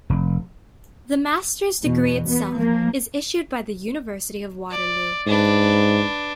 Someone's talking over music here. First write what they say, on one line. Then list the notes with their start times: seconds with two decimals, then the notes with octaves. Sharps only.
The master's degree itself is issued by the University of Waterloo.
0.10 F1
1.83 E2 B2
2.28 B3
2.57 F3 A#3
4.71 D5
5.27 G#2 D4 B4